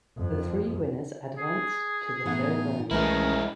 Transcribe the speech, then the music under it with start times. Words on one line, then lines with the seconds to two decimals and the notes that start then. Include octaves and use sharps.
The three winners advanced to the third round.
0.17 F2
1.37 G#4
2.25 A2 E3 B3 D#4 F#4 F#5
2.91 C2 E3 G#3 A3 C#4 E4 A#4